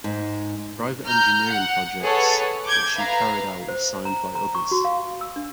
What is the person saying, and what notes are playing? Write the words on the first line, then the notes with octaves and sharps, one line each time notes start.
Private engineering projects that she carried out were signed by others.
G#2
A#5 F6 G6
F#5
G#4 A4 B4 C#5 F#5 A5
D6 G6 G#6
B4 E5 F5 A#5
C5
A#5
A#5
C#6
F#4
F5
E6
D4